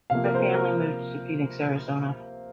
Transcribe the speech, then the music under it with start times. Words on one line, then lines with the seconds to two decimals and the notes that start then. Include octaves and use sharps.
The family moved to Phoenix, Arizona.
0.10 C3 F3 A#3 F5
0.25 A#4
0.35 C5
0.40 A#4
0.54 A#4